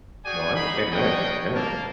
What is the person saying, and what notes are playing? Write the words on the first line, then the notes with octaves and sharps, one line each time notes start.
No, I understand that. Yeah.
F#4 G#4 D5 G5 G#5
D#4 G#4 B5
G3 D4 G#4 C#5 D#5 G5
A#3 A#4 A5